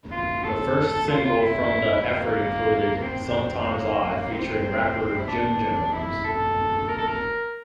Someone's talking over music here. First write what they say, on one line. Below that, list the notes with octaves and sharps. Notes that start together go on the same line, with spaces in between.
The first single from the effort included "Sumtimes I" featuring rapper Jim Jones.
F4
A4
F4
F4
E4
C4
A#3
A#3
C4
A#3
C4
E4
D4
E4
A4
A#4
A4
A#4